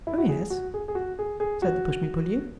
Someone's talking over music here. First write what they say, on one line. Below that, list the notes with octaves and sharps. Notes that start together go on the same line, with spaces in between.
"Oh, yes," said the pushmi-pullyu.
E4
F#4
G#4
F#4
G#4
G#4
F#4
G#4
G#4
F#4